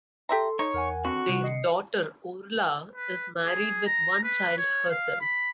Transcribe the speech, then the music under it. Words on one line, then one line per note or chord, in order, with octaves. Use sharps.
Their daughter Orla is married with one child herself.
G4 A4 E5 A#5 C6
D#4 C#5
E2 A#4 F#5 G#5
D3 C4 F#4
C3 G3
D#5 C7 C#7
B4
G#4
A#5
B4
C#5
F5
B5